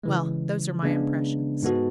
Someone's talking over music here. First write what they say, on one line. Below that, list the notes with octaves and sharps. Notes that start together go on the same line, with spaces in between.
Well, those are my impressions.
C#3 E3 G#3
C#3 G#3 B3 D4
G#2 G#3 B3 F#4 A4